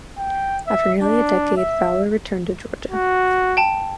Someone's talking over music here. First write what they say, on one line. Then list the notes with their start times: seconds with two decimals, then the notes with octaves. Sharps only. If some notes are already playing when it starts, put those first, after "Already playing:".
After nearly a decade, Fowler returned to Georgia.
0.18 G5
0.67 E5
1.02 D4
1.57 E5
2.91 F#4
3.57 G5 A5